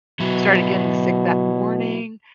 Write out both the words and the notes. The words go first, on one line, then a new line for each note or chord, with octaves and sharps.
started getting sick that morning,
B2 F#3 E4